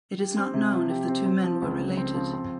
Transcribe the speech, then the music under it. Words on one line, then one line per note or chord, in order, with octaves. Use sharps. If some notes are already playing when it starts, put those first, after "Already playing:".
It is not known if the two men were related.
G4
C4
C3
F3
G4
C4
C4
F3
C#2
C#3
C4
F3
C4